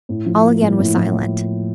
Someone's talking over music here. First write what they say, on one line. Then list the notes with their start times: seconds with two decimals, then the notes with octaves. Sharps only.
All again was silent.
0.09 A2
0.26 F3
0.44 A#3
0.62 A2
0.79 A2
0.96 A2